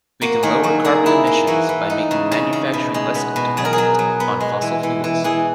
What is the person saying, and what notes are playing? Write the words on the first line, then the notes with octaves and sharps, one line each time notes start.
We can lower carbon emissions by making manufacturing less dependent on fossil fuels.
A#3 F#4
D#3 G#4
F#3 F#4
A#3 G#4
E4 G#4
A#3
E3 F#4
E3
D#4
C#3
C#3
C#3
B2
G#3
B3
B2
F#3 G#4
A#4
G#4
F#3
F#3
B3
G#3
E3
E3
E3
E3 G#4